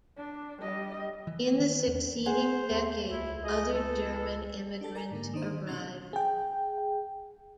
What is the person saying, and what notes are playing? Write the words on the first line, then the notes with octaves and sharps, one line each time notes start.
In the succeeding decades, other German immigrants arrived.
D4
G3 D#5
E3
A#3
D#3
E2
G#4 C5 F#5
D#2
C#2 E4
G#3 D#5
A4 B4
D4 G4 A4
A#4 D5 G#5 A#5
G#2 D3 A#3
D#3 D4 D#4 C5
B2 C#4 D#5 C6 F#6 A6
G#4 G5